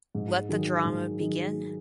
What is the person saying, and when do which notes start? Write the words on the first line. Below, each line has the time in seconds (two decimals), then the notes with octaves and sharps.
Let the drama begin!
0.15 G#2
0.49 D#3 F#3 D#4 G#4
0.85 G#2
1.19 D#3 F#3 D#4 G#4